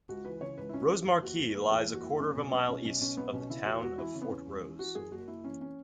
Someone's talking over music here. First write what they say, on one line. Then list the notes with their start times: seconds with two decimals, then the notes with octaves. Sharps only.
Rosemarkie lies a quarter of a mile east of the town of Fortrose.
0.09 C#2 F#4
0.25 E3 B4
0.41 C#3 C#5
0.58 C#2 B4
0.69 E4
0.73 C#2 C#4
0.90 E3
1.06 E2 E4
1.22 F#1 F#4
1.39 F#1
1.55 E3 B4
1.71 E2 G#4
1.87 F#1
1.94 F#4
2.03 F#1 E4
2.20 B1 C#4
2.36 B2 C#4
2.52 B1 B3
2.68 B2 C#4
2.84 B1 C#4
3.01 B2 C#4
3.17 B1 B3
3.33 B2 C#4
3.49 C#3 E4
3.66 E2 F#4
3.82 E1 F#4
3.98 E3 E4
4.14 C#3 C#4
4.22 B3
4.29 E2 C#4
4.47 E1
4.63 E3
4.79 E3 F#4
4.95 F#2 G#4
5.11 F#1 F#4
5.28 F#1 E4
5.44 E3 C#4
5.61 C#4